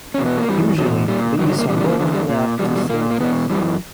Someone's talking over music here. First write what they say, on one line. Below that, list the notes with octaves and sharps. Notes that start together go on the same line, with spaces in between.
Usually these are both left to surfers.
E2 B2 C#4
B3
A#3
G2 E3 G3
E2 B2 F#3
A#2 G3
G2 D3 F#3
F#3
A#3
E2 C#3 E3 G3
G3
A#3
E2 D3
G3
A#2
E2 B2 G3
G3
A#2 A#3
A#3
E2 B2 B3
F#2 E3 G3